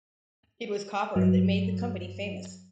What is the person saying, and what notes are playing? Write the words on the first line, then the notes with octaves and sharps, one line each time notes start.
It was copper that made the company famous.
G2 F#3